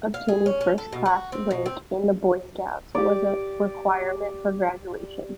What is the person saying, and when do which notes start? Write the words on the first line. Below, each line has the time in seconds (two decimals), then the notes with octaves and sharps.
Obtaining First Class Rank in the Boy Scouts was a requirement for graduation.
0.14 F5
0.29 G#4
0.46 C#4
0.61 C#4
0.78 A4
0.93 B2
1.06 F#4
1.32 C4
1.51 B2
1.66 C4
2.95 G4 D5